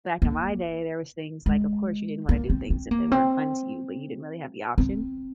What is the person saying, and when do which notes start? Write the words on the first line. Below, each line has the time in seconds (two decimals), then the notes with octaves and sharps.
Back in my day, there was things like, of course, you didn't wanna do things if they weren't fun to you, but you didn't really have the option,
0.22 A#3
1.46 G#3
2.29 A#3
2.50 C4
2.70 C4
2.91 A#3
3.12 C4
4.78 C4